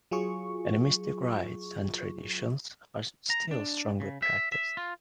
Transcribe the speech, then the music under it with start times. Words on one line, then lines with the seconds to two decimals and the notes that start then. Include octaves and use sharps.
Animistic rites and traditions are still strongly practiced.
0.11 F#3 F4 G#4 C#6
3.30 A#5
3.51 D4
4.00 C#3
4.22 E5
4.52 E5
4.77 F4